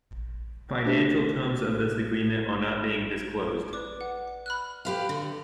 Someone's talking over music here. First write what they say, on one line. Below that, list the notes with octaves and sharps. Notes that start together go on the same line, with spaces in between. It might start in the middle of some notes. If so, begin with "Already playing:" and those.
Financial terms of this agreement are not being disclosed.
A3 D4 F#4 G4 C5 E5
B4 D5 D6
F#5
B5 F6 F#6
G4 B4 F5
D3